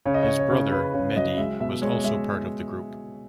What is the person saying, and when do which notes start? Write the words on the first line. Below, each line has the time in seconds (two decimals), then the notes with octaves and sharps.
His brother, Mehdi, was also part of the group.
0.06 C#3 C#5
0.14 D#5
0.23 C#5
0.28 C#3
0.39 C#5
0.50 C#3
0.72 C#3 B4
0.94 C#3 C#5
1.16 F#3 D#5
1.38 G#3 E5
1.60 B2 E5
1.82 G#3 C#5
2.04 G#3 E5